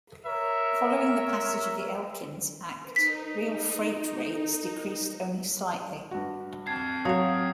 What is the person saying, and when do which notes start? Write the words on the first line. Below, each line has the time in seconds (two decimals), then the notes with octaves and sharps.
Following the passage of the Elkins Act, real freight rates decreased only slightly.
0.25 A#4 C#5 E5
2.96 D#4 B6
6.11 G2 F#4
6.67 C4 A5 G#6 C7
7.05 F#3 F#4 C#5 F5 C#6 D#6